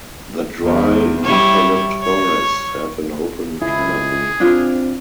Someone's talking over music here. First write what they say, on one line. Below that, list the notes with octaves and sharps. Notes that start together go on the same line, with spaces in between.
The dry eucalypt forests have an open canopy.
E2
G3 E4 C#5
C#5
C#2 E4 G#4
C4 D4 F4